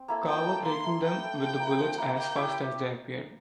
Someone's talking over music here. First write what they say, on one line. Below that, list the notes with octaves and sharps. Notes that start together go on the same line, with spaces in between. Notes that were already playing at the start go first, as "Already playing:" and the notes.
Carver breaking them with the bullets as fast as they appeared.
Already playing: C4
A#3 E4 A4
F3 G5
A#3 E4 A4
A#3 C6
E4 A4
A#3 G5
E4 A4
F3 G5
A#3 E4
F3
A#3 E4
A#3 G5
E4 G4